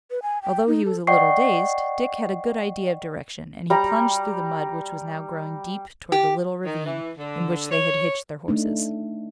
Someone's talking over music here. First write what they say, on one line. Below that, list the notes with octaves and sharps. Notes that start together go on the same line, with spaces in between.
Although he was a little dazed, Dick had a good idea of direction and he plunged through the mud which was now growing deep toward the little ravine in which they had hitched their horses.
B4
G#5
G5
D#4
A4
D5 D#5 F#5 G5 C#6 C7
G3 A#5
G4
D#3
E3
D3
C#5
A3 D4 D#4